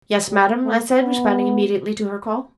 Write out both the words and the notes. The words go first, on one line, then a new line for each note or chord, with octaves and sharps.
"Yes, madam," I said, responding immediately to her call.
G3
A3
B3